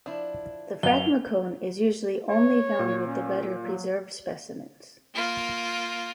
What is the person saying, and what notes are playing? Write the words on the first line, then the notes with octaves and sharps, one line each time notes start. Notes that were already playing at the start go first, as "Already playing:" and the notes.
The phragmocone is usually only found with the better preserved specimens.
F3 D4 E4
F#2 B4 D#5 F5 F7 G7
C#5
A#2
C#4
F#3
A#3 F4